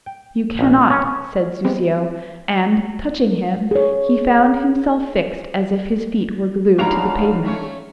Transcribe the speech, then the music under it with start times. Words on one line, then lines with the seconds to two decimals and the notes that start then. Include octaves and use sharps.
"You cannot," said Soussio; and, touching him, he found himself fixed as if his feet were glued to the pavement.
0.06 G5
0.59 A#1
0.90 C#4
1.64 G3 G#3 B3 C4 E4 G4
3.71 G#4 C#5
6.78 G#2 B2 D4 G4 C#5 F5 A#5 F7
7.45 A3 C#4 C#5